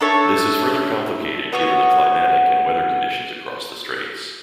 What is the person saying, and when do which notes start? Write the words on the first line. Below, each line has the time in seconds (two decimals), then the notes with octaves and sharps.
This is further complicated given the climatic and weather conditions across the straits.
0.01 D4 A4 C#5 E5
1.52 B3 F#4 C#5